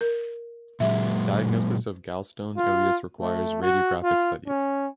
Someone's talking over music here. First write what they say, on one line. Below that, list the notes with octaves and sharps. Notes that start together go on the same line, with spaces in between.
Diagnosis of gallstone ileus requires radiographic studies.
A#4
A#2 F#3 G#3 E5
F4
A3
F#4
F4
C#4